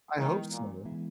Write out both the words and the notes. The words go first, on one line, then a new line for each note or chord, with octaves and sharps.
I hope so.
D#3 E3 G#3 B3 E4
A#2
E3 G#3 B3 E4